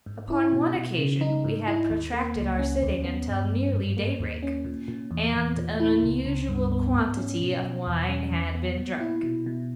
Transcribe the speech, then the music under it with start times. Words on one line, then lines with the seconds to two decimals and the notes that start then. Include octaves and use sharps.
Upon one occasion we had protracted our sitting until nearly daybreak, and an unusual quantity of wine had been drunk.
0.06 G#2
0.30 E4
0.52 B2
0.76 B2
0.98 C#3
1.21 D#4
1.44 G#2
1.68 E4
1.90 D#2
2.14 A#3
2.36 C#2
2.59 C#4
2.82 D#2
3.05 B3
3.28 G2
3.50 G2
3.73 G#2
3.97 A#3
4.19 D#2
4.42 C#4
4.65 A#2
4.88 A#2
5.11 E2
5.34 E2
5.57 A#2
5.80 E4
6.02 C#2
6.25 C#2
6.49 G2
6.72 B3
6.95 G#2
7.17 C#4
7.40 B2
7.63 B2
7.87 E2
8.09 C#4
8.32 E2
8.55 B3
8.78 A#2
9.00 E4
9.23 B2
9.46 B2